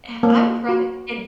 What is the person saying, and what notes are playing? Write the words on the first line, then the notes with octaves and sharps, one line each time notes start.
I I would rather and
A#3
F#4